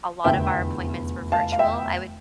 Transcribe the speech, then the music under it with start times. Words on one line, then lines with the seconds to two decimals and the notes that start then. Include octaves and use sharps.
a lot of our appointments were virtual, I would
0.24 F1 E2 D3 E5 G5
1.32 F5 A5
1.52 F5
1.59 E5 G5